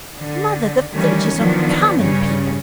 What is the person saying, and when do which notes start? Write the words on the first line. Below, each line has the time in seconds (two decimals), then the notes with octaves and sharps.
"Mother!--the Finches are common people."
0.18 D3
0.92 D#3 E3 G3 A3 C#4 D4
1.35 D#3 F3 F#3 B3 D4
2.00 G2 C#3 G3 C#4